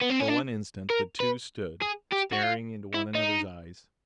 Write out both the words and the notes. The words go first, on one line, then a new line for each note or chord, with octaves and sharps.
For one instant the two stood, staring into one another's eyes.
B3
C4
C#4
D4
A#4
B4
G#4
G4
F#4
F4
E4
D#4